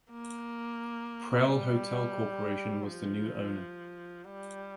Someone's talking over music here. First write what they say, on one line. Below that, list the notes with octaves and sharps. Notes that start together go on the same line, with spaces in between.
Prell Hotel Corporation was the new owner.
A#3
G3
F3
G3